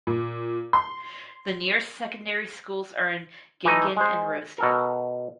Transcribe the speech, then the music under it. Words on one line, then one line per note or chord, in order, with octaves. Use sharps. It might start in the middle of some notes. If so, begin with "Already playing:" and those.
The nearest secondary schools are in Gin Gin and Rosedale.
A#2
C6
E3 A3 D#4 D#5
G#3 C5
B2 A4 A#4